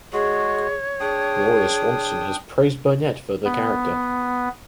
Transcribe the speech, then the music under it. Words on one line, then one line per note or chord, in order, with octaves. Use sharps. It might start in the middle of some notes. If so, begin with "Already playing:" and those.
Gloria Swanson has praised Burnett for the character.
G#3 F#4 G#4 C#5
D4 G#4 G5 D#6
B3